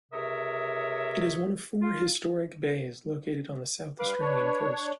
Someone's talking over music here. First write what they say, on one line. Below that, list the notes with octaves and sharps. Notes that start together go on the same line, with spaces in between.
It is one of four 'historic bays' located on the South Australian coast.
C#2 C3 A#4 C#5 E5 D#6
F4
G2 B4 F5 D6
D4 C#5